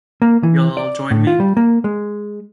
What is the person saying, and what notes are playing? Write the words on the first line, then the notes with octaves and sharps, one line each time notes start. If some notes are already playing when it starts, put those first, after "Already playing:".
You'll join me?
A#3
E3
D5
A2
F4
G3
A#3
G#3